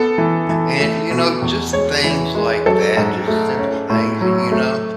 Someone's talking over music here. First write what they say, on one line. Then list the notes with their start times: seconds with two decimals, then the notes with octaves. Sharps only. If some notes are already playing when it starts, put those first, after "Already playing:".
And, you know, just things like that, just simple things that you know?
Already playing: B3 A4
0.18 E3
0.49 E3
0.80 A3
1.11 B2
1.42 E2
1.73 G#3 C#5
2.04 E3
2.35 G#3
2.66 F#3 A4
2.97 G#2
3.28 A3
3.59 C#4
3.90 A2
4.21 F#3
4.52 A3